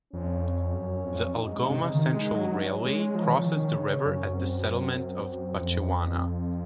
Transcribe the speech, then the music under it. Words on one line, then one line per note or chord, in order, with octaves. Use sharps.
The Algoma Central Railway crosses the river at the settlement of Batchewana.
F2 C#4
F#2
F2
F#2 D#4
G#2
C3
C#3
D#3
G#3
F#3
C#4
G#3
F3
D#3
F3
D#3
C#3
F#2
C4
F2